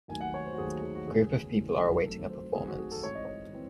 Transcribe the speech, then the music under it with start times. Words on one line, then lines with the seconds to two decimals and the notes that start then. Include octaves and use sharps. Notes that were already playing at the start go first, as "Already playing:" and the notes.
A group of people are awaiting a performance.
0.08 D#2 D#3 F#3 A3 G#5
0.20 F#5
0.34 C#5
0.46 C5
0.53 F#4
0.58 D#2 D#3 F#3 A3 G#4
0.70 F#4
0.82 G#4
0.95 F#4
1.08 E2 C#3 E3 A3 G#4
1.55 E2 C#3 E3 A3
2.05 F#2 D#3 F#3 A3 C4 A4
2.30 C5
2.54 F#2 D#3 F#3 A3 C4 G#4
2.66 F#4
2.79 G#4
2.91 A4
3.03 G#2 E3 C4 C#5
3.15 D#5
3.25 C#5
3.53 E3 C4